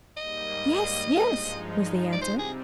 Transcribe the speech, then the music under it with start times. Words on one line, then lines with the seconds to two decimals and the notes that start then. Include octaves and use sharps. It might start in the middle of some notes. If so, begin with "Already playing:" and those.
"Yes, yes," was the answer.
0.17 G#2 G3 A#3 D#5
1.21 G2 F3 G#3 D#4
2.12 D5
2.22 C3 G3 C4 C5
2.39 G#4